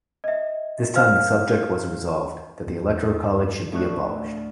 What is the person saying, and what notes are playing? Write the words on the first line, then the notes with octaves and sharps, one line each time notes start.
This time the subject was Resolved: That the Electoral College Should be Abolished.
D#5 E5
C5 F5 E6 F6
E2
D2 A2 C#6 F#6